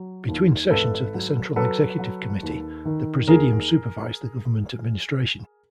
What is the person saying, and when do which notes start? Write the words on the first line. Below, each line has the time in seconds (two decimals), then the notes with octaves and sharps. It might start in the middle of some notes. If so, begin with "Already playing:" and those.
Between sessions of the Central Executive Committee, the Presidium supervised the government administration.
Already playing: F#3
0.29 D#2
0.71 G#1 A4 B4
1.14 F#3
1.56 F#3 A4 B4
1.99 F#3
2.43 D#2
2.85 D#3
3.27 D#2 G#4 A#4